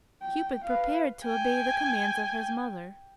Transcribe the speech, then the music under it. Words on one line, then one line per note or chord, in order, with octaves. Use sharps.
Cupid prepared to obey the commands of his mother.
G5
B4 F5
G5 G#5